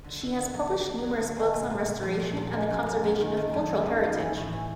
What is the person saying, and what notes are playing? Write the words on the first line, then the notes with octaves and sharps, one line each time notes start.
She has published numerous books on restoration and conservation of cultural heritage.
D3
D3
D3
F#3
F#3
A#3
F#3
D3
G#3
A#2
A#2
A#2
F3
A#2
A#2
G#3
F#2
F#3
F#2
D#3
D#3
F#2
F#3
D#3
B3
E3
A2
E3